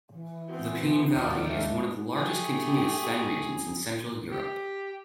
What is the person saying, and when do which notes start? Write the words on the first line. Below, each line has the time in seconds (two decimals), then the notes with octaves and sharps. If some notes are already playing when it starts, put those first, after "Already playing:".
The Peene Valley is one of the largest contiguous fen regions in central Europe.
0.12 E3
0.48 B3 C4 F#4
1.15 D#2 F4 F#4 D5 F#5 A5
1.47 G#3 D4 E5
2.17 A3 G4 G#4
4.31 G4